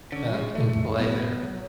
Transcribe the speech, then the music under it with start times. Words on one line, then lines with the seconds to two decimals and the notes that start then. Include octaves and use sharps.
uh, in play there.
0.12 D3 C#4
0.33 G#3
0.55 A3
0.69 A3
0.84 G#3
0.99 F#3 B3